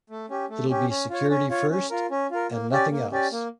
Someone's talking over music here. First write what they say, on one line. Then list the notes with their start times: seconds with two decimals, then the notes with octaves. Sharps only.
It'll be security first-and nothing else.
0.10 A3
0.30 C#4 G4
0.50 A3
0.70 C#4 G4
0.90 C#4
1.10 F4 C#5
1.30 C#4
1.50 F4 C#5
1.70 C#4
1.90 F4 A#4
2.11 C#4
2.31 F4 A#4
2.51 A#3
2.71 C#4 G4 D5
2.91 A#3
3.12 C#4 G4 D5
3.32 A#3